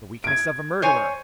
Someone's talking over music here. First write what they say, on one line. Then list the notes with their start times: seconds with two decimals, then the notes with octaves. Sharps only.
"The weakness of a murderer!"
0.24 G#6 D7
0.82 C5 C#5 G#5